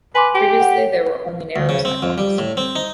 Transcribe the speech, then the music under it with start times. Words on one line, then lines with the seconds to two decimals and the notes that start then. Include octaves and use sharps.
Previously, there were only narrow sidewalks.
0.15 B4 G#5 C6 D6
0.35 G4
0.60 F#5
0.78 C#5
1.56 D2
1.69 C#3
1.85 C4
2.03 F2
2.18 G3
2.38 A2
2.57 C4
2.76 D#4